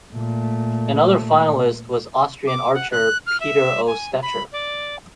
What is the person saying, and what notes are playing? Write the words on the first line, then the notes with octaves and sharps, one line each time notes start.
Another finalist was Austrian archer, Peter O. Stecher.
A#2 A3
D6
F#5
F#6
F6
E5
G#5
B5
D5